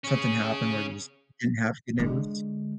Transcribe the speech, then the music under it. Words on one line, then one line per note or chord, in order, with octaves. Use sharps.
something happen where you just didn't have good neighbors?
C#4 G#4
D3 G#3